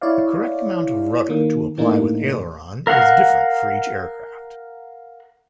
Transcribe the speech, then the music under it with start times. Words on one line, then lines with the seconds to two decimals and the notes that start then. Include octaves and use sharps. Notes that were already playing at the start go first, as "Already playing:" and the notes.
The correct amount of rudder to apply with aileron is different for each aircraft.
0.01 E4 C#5 D5 F5
1.29 D#3 A#3
1.78 A2 E3 A3 A#3 D4 D#4
2.87 A#4 F5 F#5